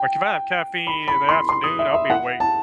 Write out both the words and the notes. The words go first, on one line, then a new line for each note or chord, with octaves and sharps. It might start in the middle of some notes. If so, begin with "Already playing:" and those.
like, if I have caffeine in the afternoon, I'll be awake,
Already playing: G5
B5
B5
C6
C6
D#6
E5
E5
F#5
A5